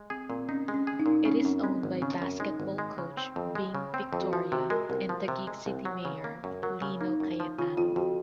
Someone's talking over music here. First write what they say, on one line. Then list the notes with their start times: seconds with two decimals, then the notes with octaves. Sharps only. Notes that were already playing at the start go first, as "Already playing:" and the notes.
It is owned by basketball coach Bing Victoria and Taguig City Mayor Lino Cayetano.
Already playing: G#3
0.10 C4 G#4
0.29 A#2 C4
0.49 C#4 D#4
0.68 G#3
0.74 C#4
0.87 G#4
1.00 D#4
1.06 A#2
1.25 C#3 C#4
1.33 C4
1.40 F#2 C#4
1.64 G#3 C4
1.83 G#1
2.02 C#3 C#4
2.22 F#2
2.40 G#3 D#4
2.60 G#1
2.78 G#3
2.98 C#3
3.17 C4
3.36 F2
3.55 G#3
3.75 C#3
3.94 C4
4.13 F2
4.21 F#4
4.32 F3 F4
4.52 C3 F#4
4.70 G#3 A#4
4.89 C2 A#4
5.09 F3
5.28 C3
5.47 G#3
5.66 C2
5.85 F#3
6.05 C#3
6.24 A#3
6.44 F#2
6.62 F#3 A#4
6.82 C#3
7.01 A#3 D#4
7.20 F#2
7.40 F3
7.58 C#3 F4
7.77 F2 F4
7.96 F2 F#4